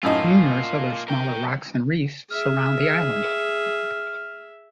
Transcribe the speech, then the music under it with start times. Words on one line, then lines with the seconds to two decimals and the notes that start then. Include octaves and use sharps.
Numerous other smaller rocks and reefs surround the island.
0.03 F#2 A2 A#3 D#4 F4
1.08 A#4 G5
2.31 G#4 E5 F6